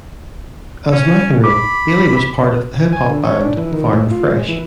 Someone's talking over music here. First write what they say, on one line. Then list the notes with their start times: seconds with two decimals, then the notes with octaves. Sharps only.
As Mcenroe, Bailey was part of the hip hop band Farm Fresh.
0.91 C#4
1.44 B5 D6
2.93 G#5
3.10 D3
3.25 C#5
3.41 D4
3.57 E3
3.73 D#3
3.93 A2
4.11 F4
4.31 G#3
4.49 E3